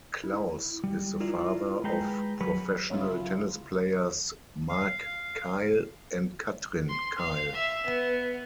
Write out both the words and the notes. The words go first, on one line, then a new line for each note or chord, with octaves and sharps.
Klaus is the father of professional tennis players Mark Keil and Kathrin Keil.
E4
G3
E4 F4 A#4 D5
G#3 G#4 B4 G5 A#5
F#3 G#4 A#4 B4 C#5
C#3 F#3 E4 F4
F5
C6
F5
E5
B3